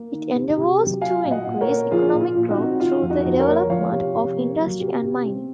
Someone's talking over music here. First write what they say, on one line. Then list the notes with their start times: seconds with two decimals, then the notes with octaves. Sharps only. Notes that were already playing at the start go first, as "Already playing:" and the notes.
It endeavours to increase economic growth through the development of industry and mining.
Already playing: A#3
0.12 D#3
0.35 C3
0.57 C3
0.80 F#3
1.01 F#3 F5 G#5
1.24 A#2
1.31 D#5 F#5
1.47 A#2
1.61 A#4 C#5
1.68 A#3
1.91 F3 F4 G#4
2.14 A#2
2.21 F4
2.35 A#2
2.50 D#4 F#4
2.57 C4
2.80 D#3 F4
3.02 F2
3.10 D#4 F#4
3.25 F2
3.39 A#4 C#5
3.47 A#3
3.70 F3 C#5 F5
3.91 C3
4.14 C3
4.37 A#3
4.58 F#3
4.80 C3
5.03 C3
5.25 C4